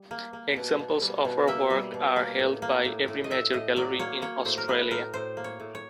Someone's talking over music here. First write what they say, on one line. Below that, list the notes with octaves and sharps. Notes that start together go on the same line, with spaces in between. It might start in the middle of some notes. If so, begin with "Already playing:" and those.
Examples of her work are held by every major gallery in Australia.
Already playing: G3
A#3
A#3
B2
B2
G3
B2
A#3 E5
G3
B2
A#3
A2
A#3
A2
A2
D#5
A2 E5
A2 D#5
F#3 D5
A#3 C#5
A#3 C#5
A2 C5
A#4
A2 B4
A2 A#4
A2 C5
A#3
C#5
A2
C#5